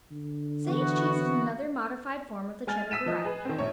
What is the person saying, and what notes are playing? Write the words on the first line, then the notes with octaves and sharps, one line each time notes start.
Sage cheese is another modified form of the Cheddar variety.
D3
E3 B3 F#4
G#3 G#5 F6 A6
E6 B6 D#7 E7
F3 D#5
G#4 B4
D#3 C4
A#1 C#5